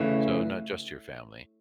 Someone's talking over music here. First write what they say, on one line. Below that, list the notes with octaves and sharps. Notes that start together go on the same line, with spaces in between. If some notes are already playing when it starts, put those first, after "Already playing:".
so, not just your family.
Already playing: E2 C#3 E3 A3 E5